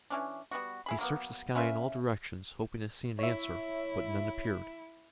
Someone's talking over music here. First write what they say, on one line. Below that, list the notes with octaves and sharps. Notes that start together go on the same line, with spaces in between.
He searched the sky in all directions, hoping to see an answer but none appeared.
E3 C#4 D4
G3 B3 F#4
E4 G#4 B5
F#3 A#3 B3
C#4 F4 B4 E5
E4 C#5 E5